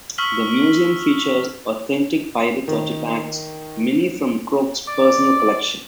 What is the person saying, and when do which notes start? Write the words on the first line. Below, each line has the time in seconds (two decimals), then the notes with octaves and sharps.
The museum features authentic pirate artifacts, many from Croce's personal collection.
0.18 C#6 E6 F6 B6 F#7 G7
2.68 D#3
4.88 D5 D6